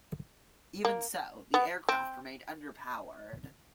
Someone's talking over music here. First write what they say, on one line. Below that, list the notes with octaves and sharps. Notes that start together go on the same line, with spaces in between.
Even so, the aircraft remained underpowered.
A#3
B3
C4